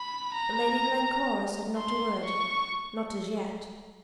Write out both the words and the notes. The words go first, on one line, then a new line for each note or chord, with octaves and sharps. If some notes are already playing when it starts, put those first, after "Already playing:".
But Lady Glencora said not a word,--not as yet.
Already playing: B5
A#5
C6
C#6